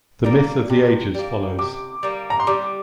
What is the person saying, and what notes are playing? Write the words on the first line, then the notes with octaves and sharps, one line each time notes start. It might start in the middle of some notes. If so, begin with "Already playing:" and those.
The Myth of the Ages follows.
G3 A#3
C3
G3 A#3
C3 D6
G3 A#3
A#5
C6
G3 D6